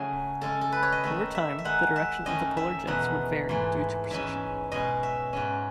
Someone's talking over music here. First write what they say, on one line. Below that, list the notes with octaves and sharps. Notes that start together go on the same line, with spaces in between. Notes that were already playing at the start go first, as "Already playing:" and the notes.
Over time, the direction of the polar jets would vary due to precession.
Already playing: C#3 F#3 A3 G#4
C#3 G#3 C#4 A4
A4
B4
C#5
D#5
D#3 A3 D#4 E5
E5
E5
D#3 G#3 D#4 F#5
E5
F#2 D#3 A3 C#4 D#5
E5
E2 B2 A3 D#4 F#5
G#2 E3 A3
G#2 E3 G#3 C#4 E5
B2 G#3 C#4 D#5
E5
G#2 F#3 C#4